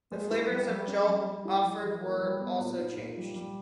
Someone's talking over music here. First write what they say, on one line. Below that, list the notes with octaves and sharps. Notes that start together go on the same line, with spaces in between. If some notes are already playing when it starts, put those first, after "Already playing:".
The flavors of Jolt offered were also changed.
G#3
E4
G3
G3
C#4
G3
G3
E4
G3
E3
A#3
G3
B3
A#2
D#4
A#2
G3
G3